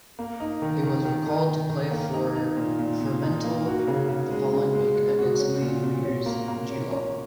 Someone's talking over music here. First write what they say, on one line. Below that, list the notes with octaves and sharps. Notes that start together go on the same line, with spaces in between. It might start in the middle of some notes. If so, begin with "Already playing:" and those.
He was recalled to play for Fremantle the following week against league leaders Geelong.
A#3
D#4
D#3
D#3
D#3
D#3
D#3
D#3
A#3
D#4
D#4
A#2
A#2
A#2
D#4
A#3
F#4
C#3
C#3
G#3
C#3
G#3
G#3
F#4
C#4
A#2
A#2
C#4
A#3
A#3
C#4
C#4